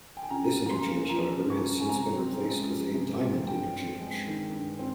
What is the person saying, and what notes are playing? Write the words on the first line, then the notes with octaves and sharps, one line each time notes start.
This interchange, however, has since been replaced with a diamond interchange.
G5
G#5
C#3 A#5
C#3
A#5
C6
A#3
F3 A#5
C#3
C#6
C#3
G#5
C3 A#5
C4
G#3
F3
C3
C4
G2 G5
C4
G#3
D#3
G2
C4